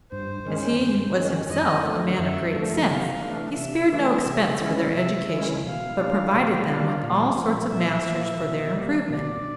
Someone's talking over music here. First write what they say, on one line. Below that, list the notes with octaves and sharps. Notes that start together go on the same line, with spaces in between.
As he was himself a man of great sense, he spared no expense for their education, but provided them with all sorts of masters for their improvement.
G2 C5
D#3 G#3 C#4
G2
D#3 G#3 C#4
F#2 D#5
D3 F3 A3
F#2 E5
D3 F3 A3
C3 F5
E3 A3 D4
C3 E5
E3 A3 D4
C3
E3 G#3 C#4 E4
C3 E5
E3 G#3 C#4 E4
B2 F5
G3 A#3 D4 F4
B2
G3 A#3 D4 F4
A#2
F3 A#3
A#2 E5
F3 A#3
B2
G3 A#3
B2 D5